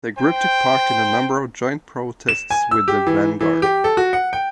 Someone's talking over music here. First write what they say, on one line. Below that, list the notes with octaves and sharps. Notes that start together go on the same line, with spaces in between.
The group took part in a number of joint protests with the Vanguard.
C5 G5
E7
G#5
E6
G4
E3
E3
G4
A4
F#4
F#5
G5